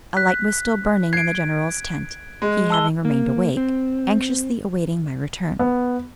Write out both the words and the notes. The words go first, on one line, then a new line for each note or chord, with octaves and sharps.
A light was still burning in the General's tent, he having remained awake, anxiously awaiting my return.
F#6 B6
G#6 C7 D7
G#3
A5 E6 G7
A#3
C4
B3